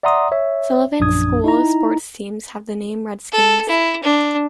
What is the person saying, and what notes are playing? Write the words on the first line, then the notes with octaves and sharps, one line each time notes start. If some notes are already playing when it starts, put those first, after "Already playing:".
Sullivan's school sports teams have the name Redskins.
D5 E5 F#5 A#5 C6 D#6
C#5 E5
A#1 F#2 D4 D#6 G#6
D#4 E4 A#5
A4
E4
D4